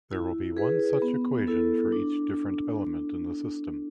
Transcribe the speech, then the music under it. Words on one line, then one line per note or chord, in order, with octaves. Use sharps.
There will be one such equation for each different element in the system.
E4
G#4 B4
B3
E4 A4
D4